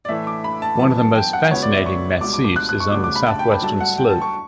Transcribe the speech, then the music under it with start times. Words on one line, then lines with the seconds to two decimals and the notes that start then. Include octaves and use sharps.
One of the most fascinating massifs is on the southwestern slope.
0.05 D5
0.09 A2 E3 A3 E5
0.27 D6
0.44 B5
0.62 A5
0.79 F#2 E3 B3 A5
0.98 A5
1.15 G5
1.33 F#5
1.51 C#2 C#3 F#3 B3 C#5
1.62 D5
1.74 E5
1.86 C#6
2.21 C#2 B2 G3 D6
2.34 D6
2.45 D6
2.56 F#6
2.69 F#6
2.80 C#6
2.92 D2 C#3 G3 D6
3.04 D6
3.16 B5
3.27 A5
3.39 G5
3.51 B5
3.62 G2 F#3 A3 A5
3.81 F#5
3.98 G5
4.09 A5
4.22 C#6